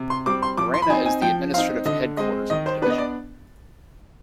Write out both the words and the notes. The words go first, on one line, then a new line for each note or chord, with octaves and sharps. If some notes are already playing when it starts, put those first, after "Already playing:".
Morena is the administrative headquarters of the division.
Already playing: C3
C6
G3 C4 D6
C6
F3 D6
C6
B5
C4 D#4 G#5
G#5
F3 G5
C4 D#4 F5
D3 D#5
G#3 C4 D#5
D#3 D#5
C5
B3 D4 B4 D#5
D5